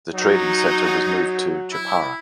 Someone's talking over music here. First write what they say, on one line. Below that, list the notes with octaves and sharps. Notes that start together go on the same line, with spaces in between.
The trading center was moved to Jepara.
F#3 D#4
E4